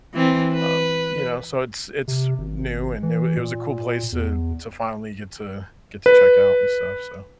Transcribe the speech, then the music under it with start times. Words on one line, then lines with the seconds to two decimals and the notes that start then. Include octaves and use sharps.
um, you know, so it's it's new, and it it was a cool place to to finally get to get to check out and stuff, so
0.14 E3 C4
0.53 B4
2.08 C3
2.38 G#1
3.03 E3
3.36 A#2
4.12 E2
6.06 B4